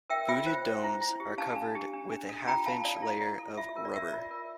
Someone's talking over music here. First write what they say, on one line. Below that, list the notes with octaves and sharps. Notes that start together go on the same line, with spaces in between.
Booted domes are covered with a half-inch layer of rubber.
A#4 E5 G5
F4 E5 G5
C5
C5
E4
E4
G4
D4 F5 A5
D4
G4
D4
D4
A4
F4 G5 A#5
F4 F5 A5
A4 D5 F5
E4
E4
A4
F4 E5
A#4
D5
A#4 E5
F4 D5
A#4